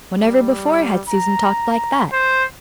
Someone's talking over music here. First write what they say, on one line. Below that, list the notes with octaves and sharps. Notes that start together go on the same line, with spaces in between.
Whenever before had Susan talked like that?
G3
A#5
C5